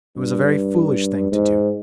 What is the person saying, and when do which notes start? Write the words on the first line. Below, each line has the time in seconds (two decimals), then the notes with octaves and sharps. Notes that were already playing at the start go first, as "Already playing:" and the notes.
It was a very foolish thing to do.
0.17 G2
1.32 G#2